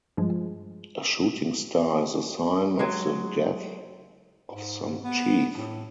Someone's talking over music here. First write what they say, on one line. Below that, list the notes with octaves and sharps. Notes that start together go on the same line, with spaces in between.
A shooting star is the sign of the death of some chief.
G2 F3 G#3
F#3 G#3
G#2
B3
A2